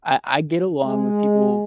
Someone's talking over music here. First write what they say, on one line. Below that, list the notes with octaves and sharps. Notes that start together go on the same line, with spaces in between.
I I get along with people
G#3